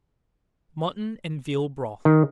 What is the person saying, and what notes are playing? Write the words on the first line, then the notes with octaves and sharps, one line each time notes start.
Mutton and Veal Broth.
D#3